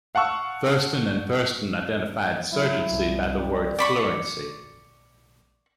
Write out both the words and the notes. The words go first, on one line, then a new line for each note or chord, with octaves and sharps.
Thurstone and Thurstone identified surgency by the word "fluency".
F5 F#5 A5 C#6 E6
F#3 E4
C2
G3
D5 B5 C#6